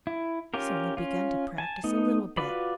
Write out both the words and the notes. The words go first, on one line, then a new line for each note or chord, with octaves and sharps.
He's only begun to practice a little bit.
E4
C#4 F4 G4 A#4
C#4 F4
G#5 A5
A3 B3 D#4
F4 F#4 B4 D5 B5